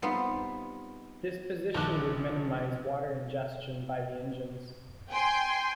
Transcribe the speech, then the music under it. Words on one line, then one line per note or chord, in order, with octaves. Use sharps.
This position would minimize water ingestion by the engines.
G3 B3 C4 D#4 F4
A#1 D#3 A5 D6 F#6
G5 G#5 C6